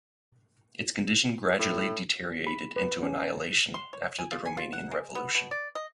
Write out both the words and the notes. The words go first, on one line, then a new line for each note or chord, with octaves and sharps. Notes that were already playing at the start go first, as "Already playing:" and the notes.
Its condition gradually deteriorated into annihilation after the Romanian Revolution.
A2
B5
B4
C#4
C6
C#5
G#5
F4
G#5
F4
F#5
G#3
B3
B2
D5
D#5